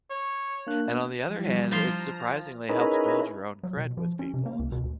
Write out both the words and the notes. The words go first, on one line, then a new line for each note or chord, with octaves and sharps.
And on the other hand, it surprisingly helps build your own cred with people
C#5
A#3 D4 F#6
E3 F3 G3
F3 A#5 C6
C#4 D#4 E4 G#4 A#4 B4
F#3
B2
F3
C#4
C3
A#3
C#2
B2
D2